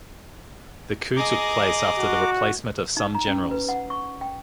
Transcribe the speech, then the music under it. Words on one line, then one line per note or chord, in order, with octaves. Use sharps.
The coup took place after the replacement of some generals.
G#4 D#5 A#5 D6
F#4
D#4
A#5
C#4
B4
F#5
C#6
G5